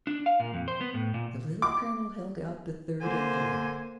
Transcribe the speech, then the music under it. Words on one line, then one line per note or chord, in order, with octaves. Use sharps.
The Little Colonel held out the third envelope.
D4
F5
A#2
F2
C5
B3
A2
A#2
D6
D3 A#3 C5 G#5